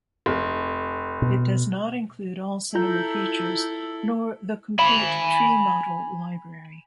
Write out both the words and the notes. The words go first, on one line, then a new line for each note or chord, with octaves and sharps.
It does not include all Cinema features, nor the complete Tree Model Library.
F1
B2
E4 F4 A4 A#5 G6
G#5 B5